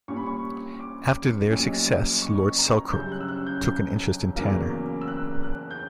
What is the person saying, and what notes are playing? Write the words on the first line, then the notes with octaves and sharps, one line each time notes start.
After their success, Lord Selkirk took an interest in Tanner.
A#2 G3 C#4 C#6
B5
C#6
D6
B1 A#2 G3 C#4
C#6
A#5
F#2 C#3 G3 G6
F#6
E6
F#6
G6
G6
E2 C#3 F#3 A#3
E6
F#6
F#6
G6